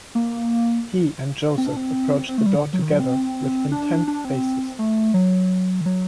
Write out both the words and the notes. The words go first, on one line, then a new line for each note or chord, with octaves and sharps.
He and Joseph approached the door together, with intent faces.
A#3
C4
D4
C4
C4
A3
G3
D3
F#3
D#3
F#3
C4
D4
D4
C4
A3
F#3
D#3
F#3